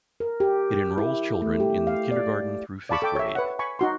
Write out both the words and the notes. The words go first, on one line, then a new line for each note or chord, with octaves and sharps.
It enrolls children in kindergarten through fifth grade.
A#4
G4
E4
A3
G4
F5
D5
D5 F5 A5 B5 C#6 D6
A4 G5 D6
C#5 E5
B4 C#5 F#5
G#5 B5 C#6
D#4 F#4 C6